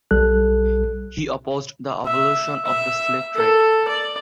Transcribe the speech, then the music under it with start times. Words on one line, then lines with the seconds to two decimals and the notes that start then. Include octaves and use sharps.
He opposed the abolition of the slave trade.
0.11 B1 G3 A4 F#6
2.07 E5
2.66 E5
3.36 A4
3.89 D5